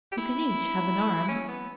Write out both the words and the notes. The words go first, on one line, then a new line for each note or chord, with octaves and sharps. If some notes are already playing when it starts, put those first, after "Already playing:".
"You can each have an arm."
G4
E4
C#4
B3